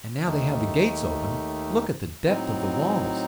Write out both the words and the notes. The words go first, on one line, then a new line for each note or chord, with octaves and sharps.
And now they have the gates open, look at the depth of the walls.
D#2 D#3 A3 D#4
A2 F#3 C4 D#4